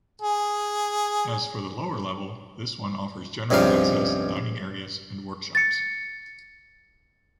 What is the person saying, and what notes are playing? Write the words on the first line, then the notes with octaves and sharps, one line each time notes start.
As for the lower level, this one offers general access, dining areas, and workshops.
G#4
C#2 G2 C3 F3 F5
A6 C#7